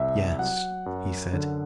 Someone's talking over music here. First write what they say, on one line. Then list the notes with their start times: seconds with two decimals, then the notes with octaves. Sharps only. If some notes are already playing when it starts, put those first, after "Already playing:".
"Yes," he said.
Already playing: C2 E5
0.39 F#3 F#5
0.86 F#2
1.33 D3